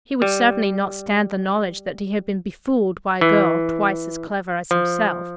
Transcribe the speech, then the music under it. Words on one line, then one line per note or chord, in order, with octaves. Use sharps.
He would certainly not stand the knowledge that he had been befooled by a girl twice as clever as himself.
G3
E3
F3